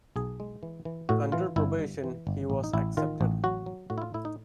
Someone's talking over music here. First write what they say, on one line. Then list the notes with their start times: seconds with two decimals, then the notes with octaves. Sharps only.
Under probation, he was accepted.
0.16 B1 G#4
0.40 G#3
0.63 E3
0.85 E3
1.09 A2 F#4
1.32 E3 F4
1.56 G1 E4
1.79 G2
2.04 E3
2.27 G1
2.50 A1
2.64 D#4
2.73 A1 E4
2.97 D#3 F4
3.21 A1
3.44 F#3 F#4
3.66 F#3
3.90 A2 F#4
3.98 E4
4.02 F4
4.14 A2 E4
4.25 D#4